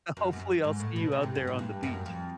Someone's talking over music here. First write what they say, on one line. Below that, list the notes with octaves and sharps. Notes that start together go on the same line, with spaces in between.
Hopefully, I'll see you out there on the beach.
F#2
F#2
G#2
A2
B2
C3
G#2
F#2
G#2
G2
F#2
F2